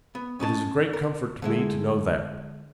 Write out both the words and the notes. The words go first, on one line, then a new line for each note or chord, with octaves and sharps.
It is a great comfort to me to know that.
B3
C#4 D#5 A5
A#4
D3 G#3 E4